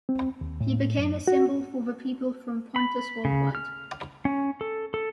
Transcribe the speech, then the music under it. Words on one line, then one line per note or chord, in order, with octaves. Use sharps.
He became a symbol for the people from Pontus worldwide.
C4
D#2
A2
F#2
F#4
B5
C#3
F6
C#4
A4
A4